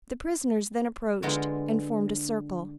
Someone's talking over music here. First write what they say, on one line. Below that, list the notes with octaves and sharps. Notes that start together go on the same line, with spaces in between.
The prisoners then approached and formed a circle.
D3 G#3 B3 F4 G5 A#5